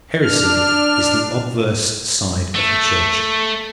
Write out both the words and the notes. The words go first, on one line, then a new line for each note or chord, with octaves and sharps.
Heresy is the obverse side of the Church.
D4 F6
A3